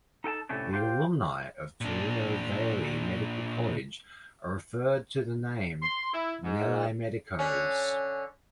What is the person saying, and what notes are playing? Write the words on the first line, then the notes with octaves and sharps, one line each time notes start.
The alumni of Tirunelveli Medical College are referred to by the name "Nellaimedicos".
D#4 A4 G5 A5
A2 C3 A3 C#4 D4
F4 G4 C5 F5 G5
A#2 D4
C6
E4
G#2
D3 C#4